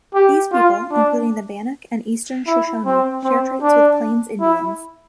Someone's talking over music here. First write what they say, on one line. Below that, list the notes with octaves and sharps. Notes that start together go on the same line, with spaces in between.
These people, including the Bannock and Eastern Shoshone share traits with Plains Indians.
G4
F4
D4
E4
C4
C4
D4
E4